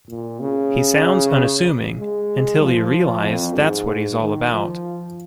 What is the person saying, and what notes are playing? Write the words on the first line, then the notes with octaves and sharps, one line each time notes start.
He sounds unassuming until you realize that's what he's all about.
A#2
C#3
G#3
F3
F2
G#2
D#3
F3